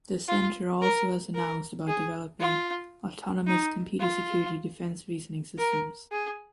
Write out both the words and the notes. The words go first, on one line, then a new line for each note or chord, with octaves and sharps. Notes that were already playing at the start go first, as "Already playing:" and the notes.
The centre also has announced about developing ""autonomous computer security defense reasoning systems"".
F4
A#4
A#4
G#4
F4
D#4
F4
A#4
G#4